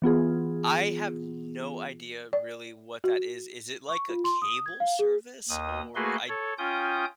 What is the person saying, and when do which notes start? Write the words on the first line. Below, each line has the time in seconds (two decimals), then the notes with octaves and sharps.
I have no idea really what that is, is it like a cable service? Or I
0.02 E3 B3 F4 G#4
2.33 D5
3.04 F#4
3.89 C#6
4.09 F4
4.24 C6
4.42 D#6
4.66 G#6
4.80 F5
4.99 G#4
5.49 D#2 D#6
5.95 A3 A#3 F#4 G#4 B4 C6
6.29 A4 C#5
6.58 C#4 F4 G5 D#6 G6